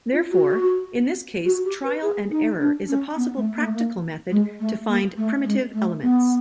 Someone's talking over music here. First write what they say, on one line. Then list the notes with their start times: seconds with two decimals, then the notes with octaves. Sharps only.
Therefore, in this case trial-and-error is a possible practical method to find primitive elements.
0.12 F4
0.31 F#4
1.45 F#4
1.64 G4
1.84 B4
2.02 G#4
2.31 D#4
2.60 D4
2.88 C#4
3.16 B3
3.36 A3
3.55 A#3
3.63 A3
3.73 A#3
4.31 G#3
4.60 A3
4.87 A#3
5.17 A3
5.45 G#3
5.74 A3
6.02 B3